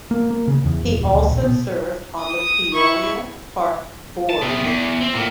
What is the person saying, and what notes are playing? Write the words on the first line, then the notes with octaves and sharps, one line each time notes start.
He also served on the Peoria Park Board.
A#3
A#3
C#3
E2
F#1
D#1
D2
A#1
B2
D#6
E4 C#6
A5
C3 B3
E2
C4
A2 A#3